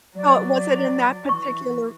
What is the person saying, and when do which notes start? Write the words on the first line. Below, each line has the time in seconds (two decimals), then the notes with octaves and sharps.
Oh, was it in that particular
0.16 F#3 D5
1.29 E3 C#6